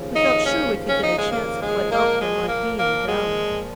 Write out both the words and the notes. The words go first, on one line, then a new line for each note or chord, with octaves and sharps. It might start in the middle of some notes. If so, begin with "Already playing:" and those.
We felt sure we could get a chance at what elk there might be in the valley.
Already playing: D#2 C#3 F3
D#4
C#4
C#4
D#4
G#3
A#3
G#3
A#2 F3 G#3 A#3
G#3
A#3
A#3
G#3